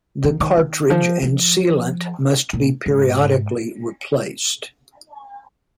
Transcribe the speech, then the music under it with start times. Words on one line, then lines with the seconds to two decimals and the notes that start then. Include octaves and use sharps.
The cartridge and sealant must be periodically replaced.
0.24 D#3
0.40 D#3
0.57 D#3
0.90 F3
1.22 F3
2.53 A#2
2.86 G#2